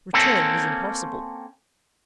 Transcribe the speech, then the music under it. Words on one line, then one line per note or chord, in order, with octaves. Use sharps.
Return was impossible.
A#3 C4 C#4 A4